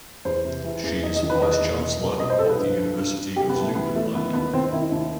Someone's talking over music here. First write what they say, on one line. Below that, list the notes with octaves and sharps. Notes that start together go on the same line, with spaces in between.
She is Vice Chancellor of the University of Zululand.
E2 C5
C3
E3
E2
E2 D#5
D#5
D#3
B4
E2 D#5
E2
B2
C2
B2 D#5
C5
C2 A4
B4
G2
G2
G2
G2
C3 G4
B3
C2
A3
E3 B3
E3 A3
D#3 B3
D#2 B3
D#3 C4
D#3 E4
D#2